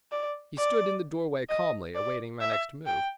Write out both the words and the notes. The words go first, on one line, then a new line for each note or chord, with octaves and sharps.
He stood in the doorway calmly awaiting my next move.
D5
D5
D#5
D5
E5
G5